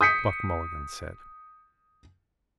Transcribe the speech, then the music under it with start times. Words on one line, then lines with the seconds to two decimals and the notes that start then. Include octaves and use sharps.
Buck Mulligan said.
0.01 D#6 G6 B6 C#7